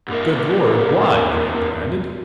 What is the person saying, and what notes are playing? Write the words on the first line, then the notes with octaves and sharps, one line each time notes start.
"But good Lord, why?" Rand demanded.
C2 A#3